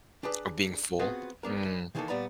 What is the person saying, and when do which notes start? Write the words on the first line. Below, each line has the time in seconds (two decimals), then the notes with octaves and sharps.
Oh, being full? Mm.
0.23 D4 G4 G#4 B4 D5
0.99 B3 C4 F4 F#4 G#4 B4
1.43 B3 D4 A#4
1.95 D#3 E3 A#3 D#4 G4 A4
2.08 A#2 G3 B3 D5 A#5 B5